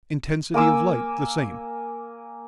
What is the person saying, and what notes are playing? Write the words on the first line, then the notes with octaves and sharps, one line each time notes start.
Intensity of light the same.
A#3 G#5 D6 E6